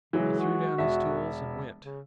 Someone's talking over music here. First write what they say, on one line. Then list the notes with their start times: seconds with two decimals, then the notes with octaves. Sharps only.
He threw down his tools and went.
0.13 C#3 E3 F#3 G#3
0.39 F#4
0.78 E1 E5
1.82 C#3